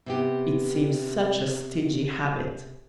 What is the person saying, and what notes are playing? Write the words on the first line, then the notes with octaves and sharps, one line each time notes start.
It seems such a stingy habit.
C3 B3 G4